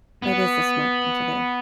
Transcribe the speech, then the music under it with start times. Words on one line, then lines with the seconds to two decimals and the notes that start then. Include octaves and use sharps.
It is a smart thing to do.
0.23 B3